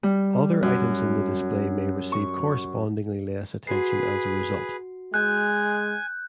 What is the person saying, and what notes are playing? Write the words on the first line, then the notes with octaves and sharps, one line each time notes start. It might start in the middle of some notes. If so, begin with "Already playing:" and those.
Other items in the display may receive correspondingly less attention as a result.
G3
F#2
C#6
F#4 G#4 B4 C7
G#3 G#5 F#6 G6